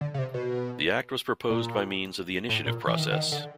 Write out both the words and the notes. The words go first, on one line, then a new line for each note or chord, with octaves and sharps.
The Act was proposed by means of the initiative process.
D3
C#3
C3
B2
A#2
A2
A#2
E3
D#3
D3
D#3
D3